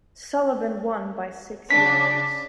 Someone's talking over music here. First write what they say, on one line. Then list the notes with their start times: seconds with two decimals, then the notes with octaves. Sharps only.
Sullivan won by six yards.
1.71 C#3 D4 B6